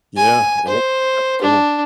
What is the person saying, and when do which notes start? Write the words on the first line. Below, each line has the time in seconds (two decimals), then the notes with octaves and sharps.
Yeah, that's that's cool.
0.17 G#5
0.68 C5
1.42 D4